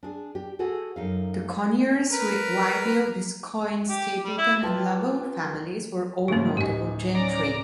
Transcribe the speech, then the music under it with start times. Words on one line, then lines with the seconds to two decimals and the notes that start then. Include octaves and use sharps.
The Conyers, Wyville, Gascoigne, Stapleton and Lovell families were all notable gentry.
0.03 D4 G#4
0.35 G4
0.59 F#4 G#4 A4 F#5
0.96 F#2 D#4 F5
2.12 A#4 B4
3.89 G4
4.24 G3
4.38 E4
4.63 F4 G4 B4 G5 A5
6.28 G#2 C#3 E3 C#4 F#4
6.57 D1 D#4 G4 D#5 G#5
7.15 C#4 D5 A#5